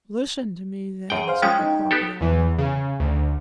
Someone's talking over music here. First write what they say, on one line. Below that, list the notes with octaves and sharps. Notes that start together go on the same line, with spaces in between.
"Listen to me, then," said the Crocodile.
F#2 G#4 G5
C5 F5
F3 G#3 C#4 G5
D#4
B3 G4 A4
E2 E3
C#3
D2